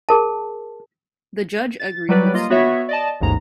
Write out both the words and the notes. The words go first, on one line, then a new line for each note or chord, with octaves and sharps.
The judge agreed with Snow.
G#4 A#4 A5
A6
F#3 G3 B4 D5
A#3 F4 D#5
B3 F#4 C#5 E5
D5 D#5 A5
A1 D#2 G#2 A#5